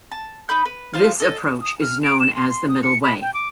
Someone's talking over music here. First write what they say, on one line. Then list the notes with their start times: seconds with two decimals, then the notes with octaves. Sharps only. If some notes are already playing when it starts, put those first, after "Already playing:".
This approach is known as the "Middle Way".
0.12 A5
0.49 D#4 B4 B5 G6
0.65 B4
0.94 F4 C5 F5
1.20 A4 D#5
1.62 D#6
1.81 F6
2.04 D7
2.20 E7
2.36 C6
2.49 C6
2.69 D#6
2.83 C#7
3.03 B5
3.22 G5
3.34 D6